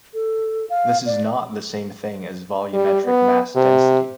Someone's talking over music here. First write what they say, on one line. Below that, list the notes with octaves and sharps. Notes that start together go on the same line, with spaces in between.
This is not the same thing as volumetric mass density.
A4
F5
D5
G3
B3
C3